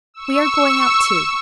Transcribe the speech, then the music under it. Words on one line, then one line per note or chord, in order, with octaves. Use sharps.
We are going out, too.
C#6 E6